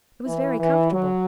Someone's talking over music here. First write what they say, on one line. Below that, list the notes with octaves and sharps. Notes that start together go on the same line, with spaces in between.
It was very comfortable.
E3
E3
F#3